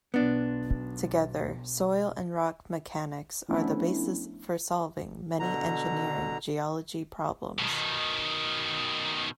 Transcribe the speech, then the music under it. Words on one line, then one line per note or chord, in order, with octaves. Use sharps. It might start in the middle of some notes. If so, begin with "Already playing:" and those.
Together, soil and rock mechanics are the basis for solving many engineering geology problems.
B1 B3 D4
F3 A3 B3 C#4 D4 E4
B2 D3 A#5
B2 D#3